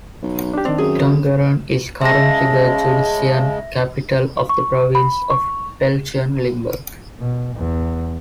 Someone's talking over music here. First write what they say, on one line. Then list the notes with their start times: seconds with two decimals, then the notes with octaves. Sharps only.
Tongeren is currently the judicial capital of the province of Belgian Limburg.
0.23 B1
0.53 D4 G4
0.65 D#3 C4 D4
0.78 F#2 G#4
2.02 C#3 G#3 E5 A5 A#6
4.49 C#6
4.95 B5
5.30 C#6
7.19 B2
7.56 E2